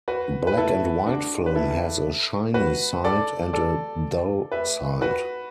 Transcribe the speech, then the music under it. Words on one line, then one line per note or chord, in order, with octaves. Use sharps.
Black-and-white film has a "shiny" side and a "dull" side.
F#4 B4
B4
E4 A4
D4 F#4
B4
E4 A4
F#4 B4
A4 D5
A4 D5
B4 E5
F#4 B4